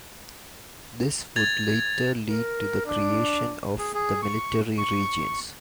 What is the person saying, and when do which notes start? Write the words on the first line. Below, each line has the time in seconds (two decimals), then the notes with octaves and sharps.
This would later lead to the creation of the military regions.
1.36 G#6 A6 F7
2.29 A#4
2.86 D4
3.78 G#4
3.94 G#4
4.22 C#6
4.78 C#6